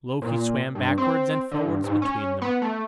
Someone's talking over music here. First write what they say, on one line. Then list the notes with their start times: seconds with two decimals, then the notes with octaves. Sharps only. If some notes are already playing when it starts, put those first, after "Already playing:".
Loki swam backwards and forwards between them.
0.22 A#2
0.75 G2
0.98 C4
1.52 D3
1.66 G2
1.84 G#2
2.02 C#4
2.42 B3
2.62 A3